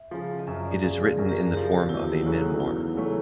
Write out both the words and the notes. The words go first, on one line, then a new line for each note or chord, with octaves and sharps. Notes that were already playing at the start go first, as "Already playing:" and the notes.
It is written in the form of a memoir.
Already playing: E5
C#3 F3
D#5
F#2 E5
D5
C#3 F3 G#4
G#4
F#2 A#4
G4
G#4
C#3 F3 G4
F#4
E2 E4
C#3 F#3 A3 C#4 D#4
E2 E4
C#3 F#3 A3 C#4